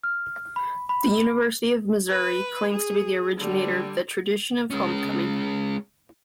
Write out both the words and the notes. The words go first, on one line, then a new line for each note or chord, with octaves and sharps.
The University of Missouri claims to be the originator of the tradition of homecoming.
F6
B5
B5
B4
G#4
D3 G3
G#3 C#4